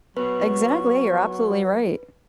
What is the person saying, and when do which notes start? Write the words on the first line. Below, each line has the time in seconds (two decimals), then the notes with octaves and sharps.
Exactly, you're absolutely right.
0.17 F#3 B3 B4 C#6